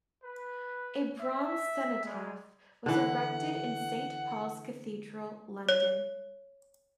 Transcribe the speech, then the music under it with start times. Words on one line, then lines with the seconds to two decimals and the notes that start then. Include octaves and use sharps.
A bronze cenotaph was erected in Saint Paul's Cathedral, London.
0.24 B4
1.19 E5
2.05 G3 G#3
2.86 D3 E3 F#5
5.69 C#5